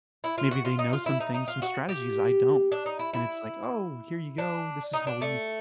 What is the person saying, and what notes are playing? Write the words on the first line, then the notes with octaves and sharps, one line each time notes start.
Maybe they know some things, some strategies I don't and it's like, "Oh, here you go. This is how we
E4
F4
F#4
F4
D#4
F4
E4
D#4
D#4
F4
F#4
G4
D4
D#4
E4
E4
D4
D#4
D4
A3